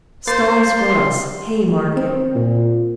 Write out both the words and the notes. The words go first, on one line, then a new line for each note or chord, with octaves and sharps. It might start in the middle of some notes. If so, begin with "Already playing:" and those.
Stalls for us, Haymarket.
A#3 C5 A6 C7
C6
C4
A#2